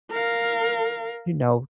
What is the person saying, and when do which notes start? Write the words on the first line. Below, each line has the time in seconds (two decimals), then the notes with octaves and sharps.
you know,
0.11 A#4 F5